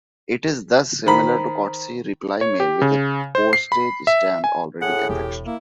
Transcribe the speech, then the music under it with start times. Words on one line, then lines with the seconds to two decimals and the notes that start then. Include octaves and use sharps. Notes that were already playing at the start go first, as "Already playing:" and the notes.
It is thus similar to courtesy reply mail with a postage stamp already affixed.
1.06 D#3 C5 A#5 B5 B6
2.41 C#5
2.60 G4
2.82 C#3
3.35 C5
3.53 C7
3.72 B5
4.07 E5
4.44 G#5
4.82 A2 G#4 F#5
5.09 E1 G4
5.46 A#3 E4